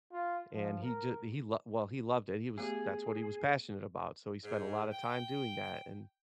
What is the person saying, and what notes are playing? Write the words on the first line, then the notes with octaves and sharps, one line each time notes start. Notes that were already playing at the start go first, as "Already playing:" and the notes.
and he ju he well, he loved it, he was that's what he was passionate about, so he spent a lotta time doing that, and
F4
F3
A#4
A3 B3 G4 G#4
G#2
G5